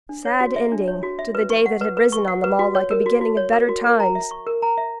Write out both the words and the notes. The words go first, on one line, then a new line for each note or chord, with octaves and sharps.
Sad ending to the day that had risen on them all like a beginning of better times!
D4
C#5
F#4
E5
D4
C#5
F#4
E5
B4
C#6
F#5
B4
B4
C#6
F#5
B4
F#4
C#5
A#4
F#4
F#4
C#5
A#4
F#4
A#4
A#5
E5
C#6
A#4
A#5
E5